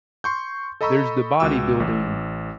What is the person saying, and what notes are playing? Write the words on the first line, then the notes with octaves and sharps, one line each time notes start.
there's the bodybuilding
C6 C#6 G6
A4 D#5 A#5 B5 C#6 E6
C#2 F#4 D6 E6
A1